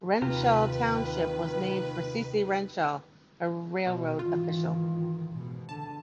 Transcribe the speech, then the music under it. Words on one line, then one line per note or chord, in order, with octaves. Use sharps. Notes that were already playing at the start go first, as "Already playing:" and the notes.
Wrenshall Township was named for C. C. Wrenshall, a railroad official.
D#2 C3 D#3 F4 G4 B4 A#5
B2
G#2 D#3 E3 F4
G#2 B2
D3 A5